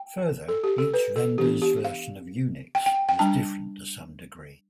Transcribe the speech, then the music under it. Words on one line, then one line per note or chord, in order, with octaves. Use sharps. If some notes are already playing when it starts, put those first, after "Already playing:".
Further, each vendor's version of Unix was different to some degree.
Already playing: G5
A4
G4
A4
B4
A4
E3 B3 D4 G4
G4
F5
G5
G5
G5
G3 D4 A5